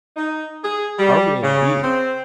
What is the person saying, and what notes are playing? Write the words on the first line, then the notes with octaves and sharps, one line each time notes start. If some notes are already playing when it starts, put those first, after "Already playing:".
"Are we, indeed?"
D#4
G#4
G3
C#3
C4